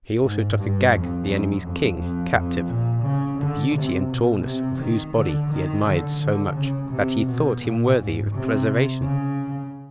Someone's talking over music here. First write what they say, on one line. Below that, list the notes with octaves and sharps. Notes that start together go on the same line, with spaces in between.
He also took Agag, the enemies' king, captive,--the beauty and tallness of whose body he admired so much, that he thought him worthy of preservation.
G#2
G2
F2
F#2
F2
F2
F2
A#2
C#3
D3
C3
B2
C3
D#3
D3
D#3
D3
D3
C#3
C3
B2
A#2
G#2
C3
C#3